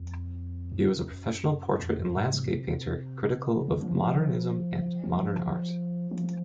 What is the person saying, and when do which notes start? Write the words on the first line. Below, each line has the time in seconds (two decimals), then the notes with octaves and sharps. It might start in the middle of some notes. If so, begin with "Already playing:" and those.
He was a professional portrait and landscape painter, critical of modernism and modern art.
Already playing: F2
0.72 F#2
1.79 F2
1.98 F#2
2.16 G#2
2.34 C3
3.56 C#3
3.68 D#3
3.82 F3
3.95 F3
5.04 F3
6.11 F3